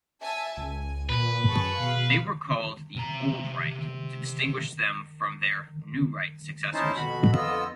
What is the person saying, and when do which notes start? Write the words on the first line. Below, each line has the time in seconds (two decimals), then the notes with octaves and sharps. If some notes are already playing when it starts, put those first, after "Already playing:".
They were called the "Old Right" to distinguish them from their New Right successors.
0.21 E5 G#5 A5
0.57 C#2 G#5
1.10 A#2 B4
1.48 F#2 G#4 A5 C#6
1.79 B2 F5
2.96 C3 A#5
6.74 C#4 D#4 E4 C5 A5
6.96 F2 B2 F#4 B5
7.32 F2 D3 B3 F4 D#5 E6